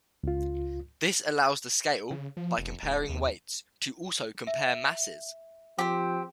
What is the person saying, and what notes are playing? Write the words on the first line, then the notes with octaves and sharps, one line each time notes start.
This allows the scale, by comparing weights, to also compare masses.
C#2 F4
C#3
F3
F1
D1
D#2
E5
F3 C4 G4 C5